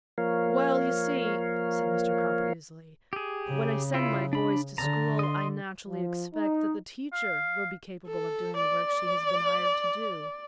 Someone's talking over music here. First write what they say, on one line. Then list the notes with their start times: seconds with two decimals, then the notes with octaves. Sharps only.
"Well, you see," said Mr. Cropper easily, "when I send my boys to school I naturally expect that the teacher will be capable of doing the work she has been hired to do."
0.18 F3 A#3 A#4 C#5 F5
3.13 G4 G#4
3.48 C#3
3.94 E4 F4
4.33 D4 B5
4.78 D3 A5 A#5
5.19 D#5 C6
5.87 F3
6.34 D#4
7.13 F5
8.08 A4
8.57 D5